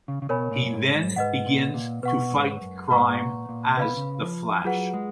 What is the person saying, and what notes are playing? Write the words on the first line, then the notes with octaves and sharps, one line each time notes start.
He then begins to fight crime as the Flash.
C#3
C#3
B2 A#4 C#5 G#5 B5
A#2
F#2
G#2
G#2
G#2 B4 D#5 F#5
A#2
A#2
B2 B4 F#5 C#6
G#2
F#2
G#2 B4 F#5 A#5 C#6
A#2
A#2
C#3 B4 F5 B5
B2
C#3
F3
F#3 F4 G#4 B4 F#5
G#3